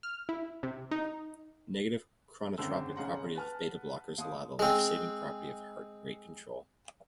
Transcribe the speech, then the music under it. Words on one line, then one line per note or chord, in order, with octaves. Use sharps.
Negative chronotropic properties of beta blockers allow the lifesaving property of heart rate control.
F6
E4
C3
D#4
G#1 F#2 D3 G#3 C4 E6
G#1 C#2 C#4 F#5 A#5 C6
B4 F#5 A5 F6
D#2 D#6
G#3 C4